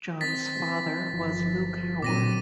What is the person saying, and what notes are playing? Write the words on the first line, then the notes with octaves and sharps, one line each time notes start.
John's father was Luke Howard.
C4 A6 B6
G1 F3
A#2 F#3 C4 D6 A#6 D#7